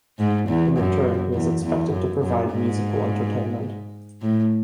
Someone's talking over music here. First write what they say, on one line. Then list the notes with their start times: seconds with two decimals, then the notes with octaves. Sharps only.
In return, he was expected to provide musical entertainment.
0.19 G#2
0.49 E2
0.78 F#2
1.34 E2
1.64 E2
1.92 F#2
2.21 F#2
2.50 G#2
4.22 A2